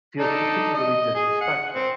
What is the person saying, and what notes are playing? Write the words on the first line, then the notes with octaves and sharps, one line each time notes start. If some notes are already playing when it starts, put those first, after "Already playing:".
feels particularly disrespectful.
D4 D#4 A4
D#5
G#4
F#5
C4